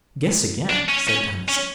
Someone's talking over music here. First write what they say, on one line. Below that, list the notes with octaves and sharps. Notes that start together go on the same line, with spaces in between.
"Guess again," said Tennyson.
D4
C#4
C#4
C#4